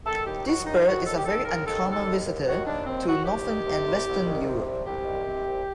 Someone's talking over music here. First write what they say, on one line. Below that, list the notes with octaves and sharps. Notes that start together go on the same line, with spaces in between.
This bird is a very uncommon visitor to northern and western Europe.
D#3 A4
D#2 G4
D#3 F#4
D#2 D#4
D#3 F#4
D#2 A4
G4
D#3 A4
D#2 A#4
D#3 A4
D#2
A4
D#3
D#2
D#3 F#4
D#2 D4
D#3 C4
D#2 F#4
C2 G4
D#3
C3
C2
C2
D#3
C3
C2
C2 G4
D#3
C3
C2